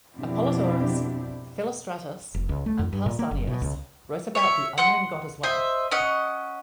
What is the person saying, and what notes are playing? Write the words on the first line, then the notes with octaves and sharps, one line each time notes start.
Apollodorus, Philostratus and Pausanias wrote about the Unknown God as well.
F2 B2 C4 D4 E4 G4
F1
C#2
A3
F2
G2
A#2
A#3
F#1
B2
C#2
C#5 E5
F#5 C6 F#6
C5 D#5 E5
C#4 D#5 F#5